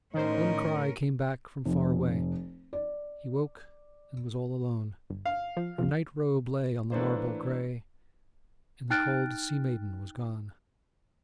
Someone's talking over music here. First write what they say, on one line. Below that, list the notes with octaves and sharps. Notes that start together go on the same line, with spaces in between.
One cry came back from far away: He woke, and was all alone. Her night robe lay on the marble grey, And the cold sea-maiden was gone.
A2 D#3 C#4 D#4 A#4 C5
F1
D5
G1
F5
F3
A#1 F2 F3
E3 A3 A#3 D4 B4 C5
D#4 G5 F6 F#6 A6 D7